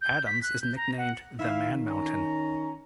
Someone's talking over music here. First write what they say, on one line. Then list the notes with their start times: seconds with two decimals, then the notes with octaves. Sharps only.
Adams is nicknamed "The Man Mountain".
0.01 G6
0.26 B6
0.43 F#6
0.62 G6
0.76 A#5
0.98 F#5
1.39 D#3 E4 E5 F5
1.86 C#4 A#5